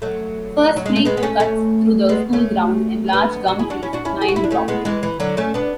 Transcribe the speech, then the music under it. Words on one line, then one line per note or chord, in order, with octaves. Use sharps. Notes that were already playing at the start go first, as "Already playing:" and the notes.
First Creek cuts through the school grounds and large gum trees line the property.
F#3 A3
F#3
G#3
A3
G#3 B3
B3
A3 C#4
A3 C#4
G#3 B3
A3 C#4
B3 D4
D4 F#4
E4 G#4
D4 F#4
C#4 E4
D4 F#4
C#4 E4
G#4
F#4
E4
D4
A3 C#4
G#3 B3
E3 G#3
E3
D3 F#3
A3 C#4
B3 D4